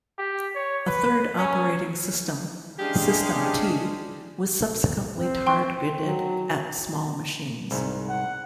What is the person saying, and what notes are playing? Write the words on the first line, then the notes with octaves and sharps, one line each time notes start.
A third operating system, System T, was subsequently targeted at small machines.
G4
C#5
B4
C#4
E3 G#3 C#4 D4 G4 G#4 F5
C4
G5 C6 C#6
F#3
C2 G#2
F#5